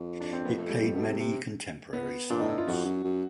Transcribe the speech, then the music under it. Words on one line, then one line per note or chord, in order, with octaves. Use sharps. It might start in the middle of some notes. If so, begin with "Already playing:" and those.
It played many contemporary songs.
Already playing: F2
D4
C4
F2 B3
A3
G3
F2 G3
B2 A3
C3
C3
B3
A#2 D4
D#4
A2
E4
F4
F2 F#4
F#2
F#2